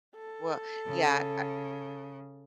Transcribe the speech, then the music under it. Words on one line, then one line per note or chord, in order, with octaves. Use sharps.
Well, yeah. Eh,
A4
C#3